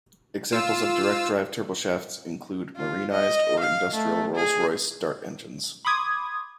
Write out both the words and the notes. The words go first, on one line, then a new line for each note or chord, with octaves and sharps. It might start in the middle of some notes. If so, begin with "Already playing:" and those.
Examples of direct-drive turboshafts include marinised or industrial Rolls-Royce Dart engines.
F4 E6
F4
D#5
F5
A3
G#4
B5 C6 D6 D#6 G#6